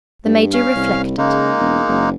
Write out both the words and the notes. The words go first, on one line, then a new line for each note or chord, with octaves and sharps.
The Major reflected.
G2
C#4 F5 F6
C2
C#3 G#3 A#3 D#4
E1
F#1